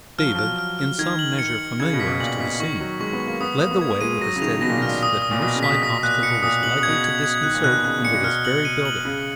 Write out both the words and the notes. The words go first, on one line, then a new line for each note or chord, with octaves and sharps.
David, in some measure familiarized to the scene, led the way with a steadiness that no slight obstacle was likely to disconcert, into this very building.
F3 F6
F#3
F3 F6
F6
F6
D#3 G#6
F#7
C#7
F#7
C#3 G#6
B2
B6
B2
A#2 F#7
B2 B6
D#3 C#6
F#3 C#6
G#3 C#6
B3
C#6
A#3
B3 D#6
A#3 D#6
B3
A#3 G#6
G#3 D#7
F#3 A#6
C#3
D#3 F7
B2 A#6
A#2
F6
A#2
D#6
D#6
A#2
B2 D#6
C#3
B6
B2
B2 D#6
A#2 F#6
B2 C#7
A#2 D#6
B2 F#7
C#3
B2 G#6
G#6
G#6
D#3 F#6
A#2
B2 F#6
B2
C#3 F#6
A#2 C#7
B2
F6
F#7
D#7
F#7
C#3 F#7